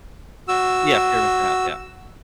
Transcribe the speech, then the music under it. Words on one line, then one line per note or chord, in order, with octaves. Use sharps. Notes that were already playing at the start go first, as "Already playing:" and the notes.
Yeah, fear of missing out, yeah.
F#4 E6